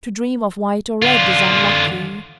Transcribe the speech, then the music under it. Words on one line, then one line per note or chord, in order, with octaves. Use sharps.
To dream of white or red is unlucky.
D3 F4